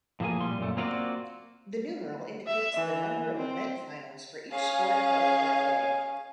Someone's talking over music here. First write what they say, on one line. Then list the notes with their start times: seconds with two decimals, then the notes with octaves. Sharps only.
The numeral indicates the number of event finals for each sport held that day.
0.20 A2 F3 A#3 G#4 G#5
0.40 A#2 G3 C6
0.58 F#2 A#2 A3
0.77 A#3 C4 F4 F#4 B4 D5
2.47 E5
2.77 E3
3.37 C4
4.53 C#4 G#4 C#5 F5 G#5